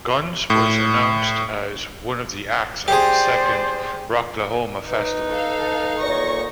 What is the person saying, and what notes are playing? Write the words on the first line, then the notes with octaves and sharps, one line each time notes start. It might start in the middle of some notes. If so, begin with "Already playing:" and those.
Guns was announced as one of the acts of the second Rocklahoma festival.
A2
G4 G#4 C5 D5
D#4 B4
A4 F5
D2 A#2 C#5 C#6 A#6